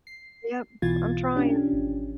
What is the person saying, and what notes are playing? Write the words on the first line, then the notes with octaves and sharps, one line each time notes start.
Yep, I'm trying.
C7
B1 B2 E3 F4 G#6 A6
C#4 D4 G4
G#1